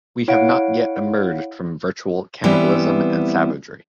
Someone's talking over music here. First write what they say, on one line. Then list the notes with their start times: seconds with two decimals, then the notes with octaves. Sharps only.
We have not yet emerged from virtual cannibalism and savagery.
0.28 E4 C#5 F5 F#5 D7
2.44 E3 G3 B3 C4 E4